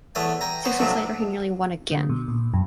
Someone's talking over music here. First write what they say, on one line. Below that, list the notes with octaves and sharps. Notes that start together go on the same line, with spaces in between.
Six weeks later he nearly won again.
E2 A3 C#5 F#5 G#5
G5 G#5 A#5
B3 C5 C#5
C3 F3 F#3 A3 D4
D3
B2
A#2
F#2